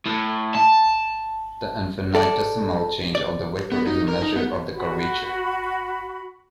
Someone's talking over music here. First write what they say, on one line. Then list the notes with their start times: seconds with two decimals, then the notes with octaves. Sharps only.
The infinitesimal change of the vector is a measure of the curvature.
0.06 A2
0.55 A5
2.15 A4 D5
3.15 D5
3.72 B3
3.87 D#4
4.08 A#4
4.22 D#4
4.36 B3
4.75 F#4 B5